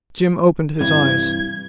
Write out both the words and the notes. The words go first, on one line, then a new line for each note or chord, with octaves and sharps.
Jim opened his eyes.
G2 C3 E3 G#6